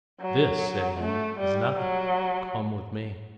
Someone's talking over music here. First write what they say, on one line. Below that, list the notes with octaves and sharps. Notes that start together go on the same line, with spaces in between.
"This," said he, "is nothing; come with me."
F#3
A3
G3
F#3